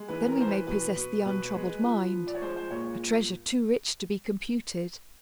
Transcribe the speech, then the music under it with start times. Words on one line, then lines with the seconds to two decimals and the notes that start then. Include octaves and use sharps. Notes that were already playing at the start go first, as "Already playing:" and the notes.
Then we may possess the untroubled mind, a treasure too rich to be computed.
Already playing: G#3
0.08 E3 B4
0.28 A#4
0.38 E3 C5
0.48 B4
0.67 B2 B4
0.96 B2
1.25 B2 B4
1.55 G#3
1.83 F3
2.13 F3
2.27 D5
2.35 C#5
2.42 G#3 C5
2.56 C5
2.70 A#2 C#5